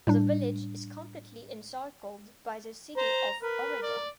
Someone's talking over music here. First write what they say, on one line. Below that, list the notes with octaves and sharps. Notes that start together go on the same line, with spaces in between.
The village is completely encircled by the city of Oregon.
A2 G3 D4
C5 A#5
A#4 B4
D5